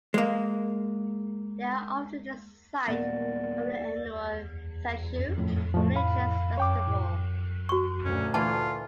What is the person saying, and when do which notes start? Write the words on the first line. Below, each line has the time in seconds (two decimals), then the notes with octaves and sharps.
They are often the site of an annual "tsechu" or religious festival.
0.14 G#3 A#3
2.88 D#1 A#2 A#3 B3 A#4 D5 F#5
5.18 F#2
5.38 F2 A2
5.74 A2 F3 A3
5.96 F5 B5
6.58 F#2 C#5 G5 D6
6.87 A2
7.69 F#4 C#6
8.05 D2 A#2 C#4
8.34 E3 A3 A#3 F4 A5